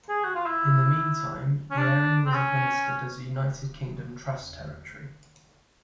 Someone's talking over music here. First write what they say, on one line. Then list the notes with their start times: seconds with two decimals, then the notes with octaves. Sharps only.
In the meantime, the area was administered as a United Kingdom Trust Territory.
0.09 G#4
0.24 F#4
0.35 F4
0.46 E4
1.71 C#4
1.78 D4
2.26 C4
2.34 C#4